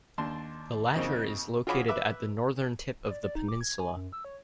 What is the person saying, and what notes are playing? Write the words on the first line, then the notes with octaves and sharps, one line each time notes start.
The latter is located at the northern tip of the peninsula.
D#2 D4 A5 C6
F2 C#3 A#3 C4 D#4
F4 F#4 G#4 C#5 B5 D6
B4 E5 D6 E6
D5
D5
D#4
D6
G#6
G#5
F#2
E6
C#5